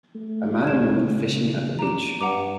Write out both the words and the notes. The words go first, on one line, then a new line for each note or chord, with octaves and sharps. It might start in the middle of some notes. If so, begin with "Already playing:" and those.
A man and woman fishing at the beach.
A3
C2 G#6 E7
C#3
G4 A#5
G2 F#5 A#5 D6